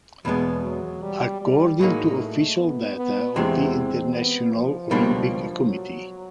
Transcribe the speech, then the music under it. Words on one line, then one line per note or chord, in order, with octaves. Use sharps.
According to official data of the International Olympic Committee.
E2 B2 F#3 G#3 B3
F#3
G3
G3
A2 F#3 G#3 A#3 D#4
A3
B3
B3
E2 C3 E3 G#3 C4
C4
B3
F3
C#2 B2 G3 A#3 D4
F#3